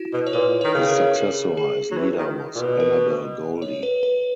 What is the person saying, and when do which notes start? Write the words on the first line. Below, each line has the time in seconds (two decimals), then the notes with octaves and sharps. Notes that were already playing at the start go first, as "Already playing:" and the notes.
His successor as leader was Annabel Goldie.
Already playing: E4 F#4
0.13 B2
0.27 C#5
0.33 A#2 B4
0.61 D#3 C#5
0.74 C#3
0.88 A#4
1.16 G#4
1.57 G#4
1.91 F#3
1.97 E3
2.18 D#3
2.55 A#2
2.59 B2
2.80 A#4
3.62 C#5
3.83 B4
4.03 B4